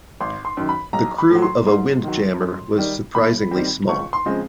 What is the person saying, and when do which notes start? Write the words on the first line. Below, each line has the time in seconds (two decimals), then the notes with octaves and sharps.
The crew of a windjammer was surprisingly small.
0.20 G#1 C6
0.45 C6
0.57 F#2 D#3
0.69 B5
0.93 B1 A#5
1.18 B5
1.30 A2 F#3
1.42 C6
1.67 G#2 C6
2.04 D#3 F#3
2.41 F#2
2.78 D#3 G3
3.14 D#2 B5
3.51 D#3 G3 C4
3.89 C#2 C#6
4.13 C6
4.26 C#3 F3 G#3 C4